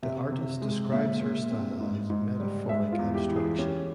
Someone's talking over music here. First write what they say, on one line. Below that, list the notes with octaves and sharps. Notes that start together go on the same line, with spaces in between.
The artist describes her style as "metaphoric abstraction".
C3 E5
C3
G#3
A#2 E5
A#2
C4
G#2
G#2
G3
G#3 E5
F4
E2
G4
E3
G#4
C#4 G4